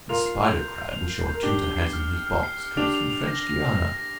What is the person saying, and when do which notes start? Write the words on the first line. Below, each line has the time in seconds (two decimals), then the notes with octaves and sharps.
The spider crab which your tutor has in his box comes from French Guiana.
0.09 F4 A#4 F7
0.26 C7
0.43 F7
0.60 G6
0.76 G6
0.93 F7
1.10 C7
1.26 G6
1.34 A#4
1.43 D4 G4 G7
1.60 G7
1.77 C7
1.93 F6
2.10 F6
2.27 F6
2.43 C7
2.60 F6
2.77 D4 G4 F7
2.94 F7
3.10 F7
3.27 A#6
3.44 A#6
3.61 A#6
3.77 A#6
3.94 A#6